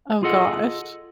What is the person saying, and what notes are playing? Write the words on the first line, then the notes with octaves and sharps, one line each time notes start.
Oh, gosh.
F4 G#4 A4 D#5 F#5